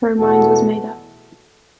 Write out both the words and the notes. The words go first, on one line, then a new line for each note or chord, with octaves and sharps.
Her mind was made up.
E2 B2 A3 F#4 A4